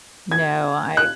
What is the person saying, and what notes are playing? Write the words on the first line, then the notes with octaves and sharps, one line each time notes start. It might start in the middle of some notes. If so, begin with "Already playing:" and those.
No, I
G#6
F#6